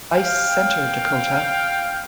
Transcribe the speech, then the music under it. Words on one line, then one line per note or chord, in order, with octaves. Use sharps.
Ice Center, Dakotah!
F5 G5